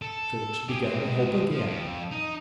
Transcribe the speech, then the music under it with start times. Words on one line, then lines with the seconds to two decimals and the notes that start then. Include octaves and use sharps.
Fix began to hope again.
0.02 A4
0.69 G4 G#4
0.84 G#3 C4
1.51 F3
1.66 F2
2.12 D#4